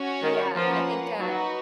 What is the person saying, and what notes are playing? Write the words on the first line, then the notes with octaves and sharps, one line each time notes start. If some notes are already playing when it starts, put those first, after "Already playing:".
Yeah, I think, uh,
Already playing: C#4 F#4 C#5
D#3
F3 A#3 C#4 F4 B4 F#5
F#3 D#4 F#4 B4